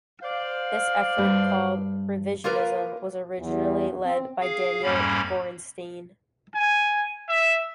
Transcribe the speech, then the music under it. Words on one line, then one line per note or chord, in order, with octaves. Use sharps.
This effort, called "revisionism", was originally led by Daniel Gorenstein.
C5 D5 F5
G2
A#3 F4 A#4 B4
E2
C4
G#4 F5
F2 G#2 G3 A#3 C#4 B5
G#5
E5